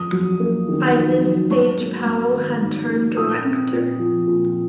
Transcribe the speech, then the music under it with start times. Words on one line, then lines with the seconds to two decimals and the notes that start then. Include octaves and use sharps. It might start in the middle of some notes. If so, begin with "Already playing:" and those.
By this stage Powell had turned director.
Already playing: F2 D#6
0.12 F#3
0.40 A#3
0.68 D#3
0.96 F2
1.24 F#3
1.50 G#2 C#6
1.79 A#3
2.06 G#2
2.34 D#3
2.62 G#2
2.89 A#3
3.17 A#2 D#6
3.45 C4
3.72 A#2
3.99 F3
4.27 A#2